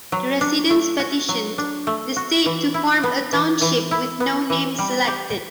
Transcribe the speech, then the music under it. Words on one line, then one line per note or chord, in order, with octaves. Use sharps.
The residents petitioned the state to form a township with no name selected.
F#3
D4
A3
F#4
F#3
D4
A3
F#4
E3
E4
B3
E3
E3
E4
B3
E3
G3
G4